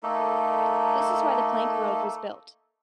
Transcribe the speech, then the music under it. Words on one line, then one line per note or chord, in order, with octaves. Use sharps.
This is why the Plank Road was built.
A3 A#3 D#4 A4